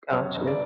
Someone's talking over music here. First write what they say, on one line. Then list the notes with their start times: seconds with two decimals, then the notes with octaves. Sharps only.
Got you.
0.12 F#2 C#5
0.36 G1
0.47 D5